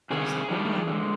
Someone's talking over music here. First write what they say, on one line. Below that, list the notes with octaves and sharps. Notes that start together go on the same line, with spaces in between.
It was a good one.
C3 D#3 G3 G#4
D#3 G3 D4
D3 F3 G#3